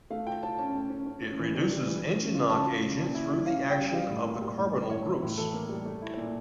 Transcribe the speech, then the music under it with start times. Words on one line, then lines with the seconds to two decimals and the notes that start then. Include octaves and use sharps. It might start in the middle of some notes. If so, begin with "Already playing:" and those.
It reduces engine knock agent through the action of the carbonyl groups.
0.10 A3 F5
0.27 F4 G5
0.43 F4 A5
0.59 C#4 A5
0.74 A3
0.90 C#4
1.06 C#4
1.22 C#4
1.39 E3
1.55 G3
1.70 G3
1.86 E3
2.03 F3
2.18 C#4
2.34 F4
2.50 C#3 A5
2.66 F4
2.82 C#3
2.98 A#2
3.14 E4
3.30 G3
3.46 C#4 F5
3.62 C#4
3.70 G5
3.78 G3
3.87 G5
3.93 G3 F5
4.10 A2
4.26 A#3
4.41 G3
4.58 A2
4.74 G3
4.90 A2 C#5
5.06 E3
5.22 A2
5.38 E3 A4
5.53 A#3
5.69 G3
5.86 A3
6.02 E4
6.17 A#2